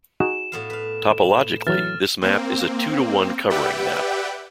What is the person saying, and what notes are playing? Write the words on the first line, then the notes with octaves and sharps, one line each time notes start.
Topologically, this map is a two-to-one covering map.
D#4 F#4 G#4 E7
A2 B3 F5
B4 F5
E3 F#3 F6 A6
A#3 C4
G4 B4 D5 E5 F#5 G5